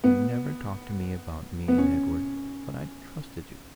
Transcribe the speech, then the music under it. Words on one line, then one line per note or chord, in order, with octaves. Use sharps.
You never talked to me about me and Edward, but I trusted you.
B3
B3
C#4